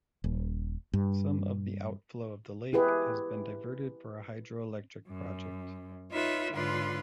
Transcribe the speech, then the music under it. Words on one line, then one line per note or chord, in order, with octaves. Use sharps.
Some of the outflow of the lake has been diverted for a hydroelectric project.
D#1
G2
E4 G4 G#4 B4
F#2
D#4 F4 B4 C#5 E5
G#2 D3 F4 B4 C#5 C6